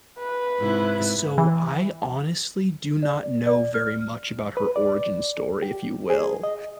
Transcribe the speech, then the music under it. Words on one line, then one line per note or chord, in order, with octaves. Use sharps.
So I honestly do not know very much about her origin story, if you will,
B4
G#2 C3 E4
E3
D5
D5
D5
F6
B4
D5
G4
G#4
D#5